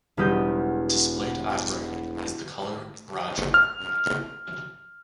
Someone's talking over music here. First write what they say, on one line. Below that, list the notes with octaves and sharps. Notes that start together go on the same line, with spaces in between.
Displayed at right is the color "rajah".
E1 E2 G3 G4 D#6 G6
F6